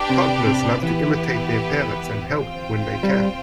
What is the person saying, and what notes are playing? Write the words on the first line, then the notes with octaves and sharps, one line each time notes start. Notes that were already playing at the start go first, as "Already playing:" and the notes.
Toddlers love to imitate their parents and help when they can.
Already playing: D4 G4 B4 D5 G5
C3
C3
E3 B3 E4 G4 B4
C4 F4 C5 G5
G3